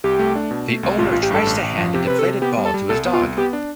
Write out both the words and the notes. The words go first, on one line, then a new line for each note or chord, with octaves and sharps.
The owner tries to hand a deflated ball to his dog.
C2 G4
A3
D4
B2
A3
C2
A1 F4
F4
A1
G4
G2 A4
A1
A1
F3
C3 G4
C3 B4
A4
C3
B3 G4
G3
A4
G3
C2 A4
B3
F4
C2
B3 G4
D4